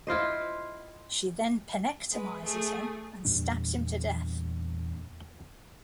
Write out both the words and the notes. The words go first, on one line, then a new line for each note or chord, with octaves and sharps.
She then penectomises him and stabs him to death.
E4 F4 C5 D#5
G#3 B4
A3 G#4
E2 A#2 G3 D4